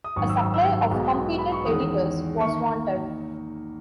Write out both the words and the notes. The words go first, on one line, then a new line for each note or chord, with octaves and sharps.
A supply of competent editors was wanted.
D#6
G#1 F#2 D#3 C#6
E6
E6
E6
B1 B2 G#3 B3
B5
C#6
E2 D#3 G#3 C#4 D#6
D#3 A#3 C#6